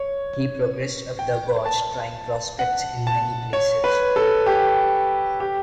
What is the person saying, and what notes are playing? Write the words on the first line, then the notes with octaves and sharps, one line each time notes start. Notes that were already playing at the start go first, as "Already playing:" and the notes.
He progressed up the gorge trying prospects in many places.
Already playing: C#5
G5
A5
F#5
A5
C#5
B4
A4
G4
G4